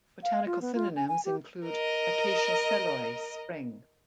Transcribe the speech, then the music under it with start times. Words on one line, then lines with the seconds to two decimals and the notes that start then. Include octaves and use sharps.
Botanical synonyms include "Acacia selloi" Spreng.
0.23 F5
0.46 F4
0.62 B3
0.75 F4
0.96 G#5
1.08 G#5
1.25 G4
1.66 A#4 D#5